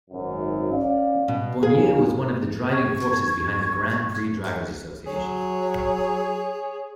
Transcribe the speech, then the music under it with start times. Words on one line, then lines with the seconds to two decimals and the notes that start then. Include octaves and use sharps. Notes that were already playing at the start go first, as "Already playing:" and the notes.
Bonnier was one of the driving forces behind the Grand Prix Drivers' Association.
0.11 G#1 F#2
0.72 C#4 D5 F5
1.28 B2
1.63 D#2 A#3 G#4
2.71 C#6 G#6
5.06 F#3 G#4 C#5